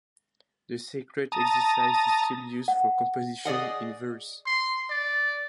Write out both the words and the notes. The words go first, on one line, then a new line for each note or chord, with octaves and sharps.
The Sacred Exercise is still used for composition in verse.
A5 A#5 D#6
F#5
G#4 D5 D#5 F#5
C6
D5